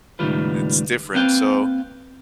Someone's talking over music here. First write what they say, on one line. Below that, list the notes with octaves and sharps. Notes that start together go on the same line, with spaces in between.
It's different, so
C#2 A2 D#3 G3 F4 B4
A#3 C4 B4 F5 G5